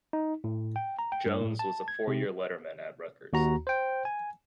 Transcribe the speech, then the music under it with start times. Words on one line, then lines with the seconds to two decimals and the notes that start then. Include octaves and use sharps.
Jones was a four-year letterman at Rutgers.
0.13 D#4
0.44 A2
0.76 G5
0.99 A#5
1.12 G5
1.26 G2
1.41 A2
1.59 A5
1.88 G#6
2.08 C3
3.33 D#2 F#4 A#5
3.67 C5 G5
4.05 G#5